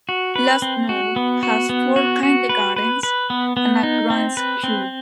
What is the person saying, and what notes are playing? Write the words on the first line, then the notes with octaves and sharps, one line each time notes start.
Lustnau has four kindergartens and a Grundschule.
F#4
B4
C4
F#4
B3
F#4
B3
F#4
F#4
B4
B4
B4
B3
B3
D#4
C4
B4
C4